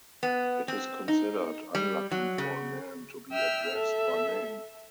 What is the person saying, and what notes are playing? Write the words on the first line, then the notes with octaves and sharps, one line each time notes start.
It is considered unlucky for a man to be addressed by name.
B3
C4
D#4
G3
F#3
C#3
E5 G5 E6 F6
A4 E5